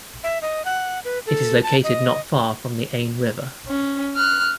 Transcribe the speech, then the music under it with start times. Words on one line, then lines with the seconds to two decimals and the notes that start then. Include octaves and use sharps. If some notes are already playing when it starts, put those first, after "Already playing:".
It is located not far from the Ain River.
0.24 E5
0.42 D#5
0.65 F#5
1.05 B4
1.26 A4
1.63 A5
1.84 D#5
3.68 C#4
4.17 F6 F#6